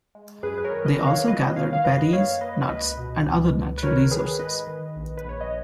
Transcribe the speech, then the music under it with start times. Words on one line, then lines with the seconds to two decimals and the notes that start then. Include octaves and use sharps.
They also gathered berries, nuts and other natural resources.
0.15 G#3
0.43 F#2 G#4 B4
0.58 B4
0.64 A#4 C#5
0.71 D#3
0.85 B4 D#5
1.00 D#3
1.07 C#5 F5
1.28 G#3 B4 D#5
1.56 D#3 C#5 F5
1.73 F5
1.85 F#2 B4 D#5
2.13 A#3 C#5 F5
2.41 A#3 B4 D#5
2.69 C#2 B4 D#5
2.98 B2
3.26 C#2
3.55 C#2
3.78 B4
3.83 D#3 A#4 C#5
4.10 D#3 G#4 B4
4.39 G#2 B4 D#5
4.67 D#3
4.96 A#1
5.17 B4
5.25 A#1 C#5
5.41 D#5